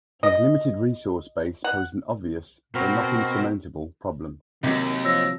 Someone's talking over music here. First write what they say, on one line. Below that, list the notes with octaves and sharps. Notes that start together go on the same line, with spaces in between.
His limited resource base posed an obvious, though not insurmountable, problem.
D#5
F#5
B2 C4 F#4 A#4
D#2 C3 D#3 F#3
F3 C#5 E6 A#6